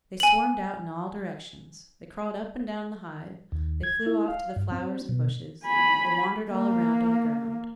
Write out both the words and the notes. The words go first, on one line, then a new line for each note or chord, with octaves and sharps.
They swarmed out in all directions; they crawled up and down the hive; they flew off to the flowers and bushes, or wandered all around on the ground.
G#5 F#7
D#2
G#6
E4
F5
G2
C4
B2
G#5 B5
A#3